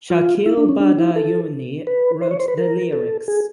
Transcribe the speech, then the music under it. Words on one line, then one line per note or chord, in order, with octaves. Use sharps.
Shakeel Badayuni wrote the lyrics.
F4
E4
D4
C#4
D4
E4
A4
B4
C5
C#5
C5
B4
A#4
A4
G#4